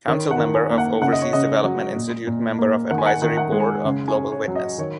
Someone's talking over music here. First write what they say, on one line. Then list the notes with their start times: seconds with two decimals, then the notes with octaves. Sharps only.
Council member of Overseas Development Institute Member of Advisory Board of Global Witness.
0.08 D#3 C#5
0.31 F#5
0.38 D#3
0.54 G#5
0.70 A#3
0.78 F#5
1.01 C#3 F#5
1.12 D#5
1.22 C#5
1.33 C#3 D#5
1.64 F#3
1.96 A#2
2.27 A#2
2.58 A#3
2.91 D#3 F#5
2.98 G#5
3.06 F#5
3.22 D#3
3.37 F#5
3.52 G#3
3.60 G#5
3.85 C#3
4.08 G#5
4.15 C#4
4.32 C#5
4.48 F#3
4.55 D#5
4.78 D#3 C#5